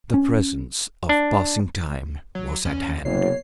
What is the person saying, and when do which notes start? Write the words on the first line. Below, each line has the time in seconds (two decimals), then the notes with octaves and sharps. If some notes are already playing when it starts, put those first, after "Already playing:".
The presence of passing Time was at hand.
0.14 C#4
1.09 D4
2.35 F#3
2.65 E2 C#4
3.05 F#1 C3 B3 C#5 C7